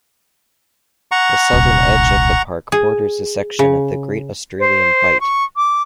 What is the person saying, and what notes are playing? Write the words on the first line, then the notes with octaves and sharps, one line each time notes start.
The southern edge of the park borders a section of the Great Australian Bight.
F#5 A#5 C#6
D#1 C2
G#4
C#3
C5
C#6
D6